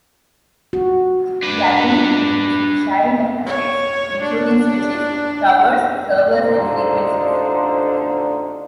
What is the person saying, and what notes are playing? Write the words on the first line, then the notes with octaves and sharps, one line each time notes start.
The agreement includes the sharing of assets including switches, towers, servers, and frequencies.
F#4
D4 B4
C#5
D4
A1 D3 D4 D#4 F4 C5